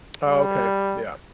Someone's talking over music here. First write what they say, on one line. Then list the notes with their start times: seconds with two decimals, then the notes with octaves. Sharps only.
Oh, okay. Yeah.
0.25 G3